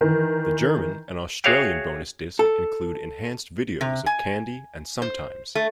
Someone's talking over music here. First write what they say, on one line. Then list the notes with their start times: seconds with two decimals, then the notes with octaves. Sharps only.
The German and Australian bonus disc include enhanced videos of "Candy" and "Sometimes".
0.01 D#3 E3
1.44 F#4 G#4 C#5 E5 F5 G5
2.39 A4
3.81 C3
4.06 G#5
5.02 C5
5.55 A3